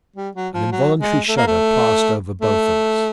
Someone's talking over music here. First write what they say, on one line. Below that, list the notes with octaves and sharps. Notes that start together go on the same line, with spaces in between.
An involuntary shudder passed over both of us.
G3
F#3
F3
F#3
G#3
A3
A#3
A3
A3